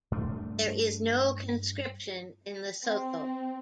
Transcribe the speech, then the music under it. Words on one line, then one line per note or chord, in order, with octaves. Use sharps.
There is no conscription in Lesotho.
G2 A3 D4
C4